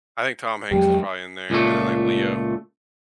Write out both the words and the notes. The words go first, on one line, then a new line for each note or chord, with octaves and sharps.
I think Tom Hanks is probably in there and then like Leo.
F2 F#3 G#3 G4
C#2 A#2 A3